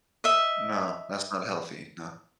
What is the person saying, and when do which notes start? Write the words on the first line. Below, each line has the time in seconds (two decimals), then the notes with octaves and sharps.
No, that's not healthy, no.
0.24 D#5 E5